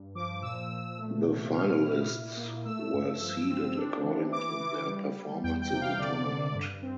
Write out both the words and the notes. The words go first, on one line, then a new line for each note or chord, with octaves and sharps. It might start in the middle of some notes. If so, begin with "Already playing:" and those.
The finalists were seeded according to their performance in the tournament.
Already playing: G2
F3 D6
A#2 E6
A#2
A3
C3
A#2 F6
E4
E4
A#3
A3 E6
G2
F3 E6
C4
D4
E3
E3 D6
E3
G3
G3
E2 G5
G5
C3
F5
D3 D5
D3
G2
C4